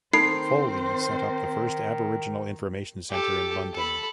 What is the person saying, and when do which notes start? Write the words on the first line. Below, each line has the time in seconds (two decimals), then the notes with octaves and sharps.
Foley set up the first Aboriginal Information Centre in London.
0.13 D#3 C4 D#4 A4 C5 B5 C7
3.10 G4 A4
3.74 A4 B5